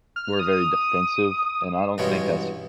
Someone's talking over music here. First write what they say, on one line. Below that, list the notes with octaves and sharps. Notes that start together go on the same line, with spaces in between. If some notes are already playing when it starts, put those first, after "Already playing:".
we're very defensive, and I don't think that's
F6
D#6
G2 B2 E3 G#3 C#4